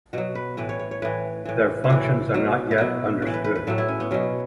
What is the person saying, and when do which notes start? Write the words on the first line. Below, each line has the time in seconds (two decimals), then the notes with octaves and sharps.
Their functions are not yet understood.
0.13 B2 F#3 F#4
0.35 B4
0.57 A2 E3 B4
0.69 C#5
0.79 C#5
0.91 C#5
1.02 A2 E3 B4
1.45 A2 E3
1.84 E4
1.90 A2 E3 F#4
2.34 B2 F#3
2.71 E4
2.78 B2 F#3 F#4
3.22 A2 E3
3.34 B4
3.44 B4
3.55 B4
3.67 A2 F#3 A4
3.78 E4
3.88 C#4
4.00 B3
4.11 B2 F#3 C#4